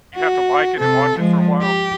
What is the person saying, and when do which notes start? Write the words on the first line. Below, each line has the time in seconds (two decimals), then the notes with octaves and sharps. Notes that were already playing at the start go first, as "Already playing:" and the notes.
You have to like it and watch it for a while?
0.15 F#4
0.78 C3 A4
1.16 F3 G#3
1.62 G4